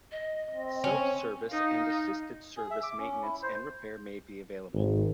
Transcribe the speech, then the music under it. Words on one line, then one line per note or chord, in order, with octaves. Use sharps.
Self-service and assisted-service maintenance and repair may be available.
D#5
C4
C#4
D#4 F5
G#4
E5
D6
C#4
E4
C5
G#1